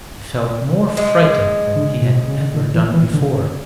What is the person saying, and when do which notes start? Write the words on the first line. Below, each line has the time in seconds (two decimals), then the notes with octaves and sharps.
He felt more frightened than he had ever done before.
0.97 G#3
1.76 D3
2.02 B2
2.28 C#3
2.54 D3
2.74 E3
2.94 E3
3.14 D3
3.33 C#3